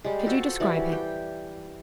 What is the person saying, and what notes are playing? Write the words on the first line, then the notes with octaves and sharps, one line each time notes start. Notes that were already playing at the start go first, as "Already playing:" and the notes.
Could you describe him?
G3 G#3
F4 F#4 A4 C5
E3 G3 F#4 D5
G5